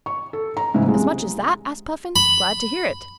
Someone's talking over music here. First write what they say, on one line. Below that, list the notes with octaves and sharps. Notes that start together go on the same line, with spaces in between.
"As much as that?" asked Puffin, "Glad to hear it."
C#6
A4
A#5
G#2 C#3 E3 E4
C2 G#3
B5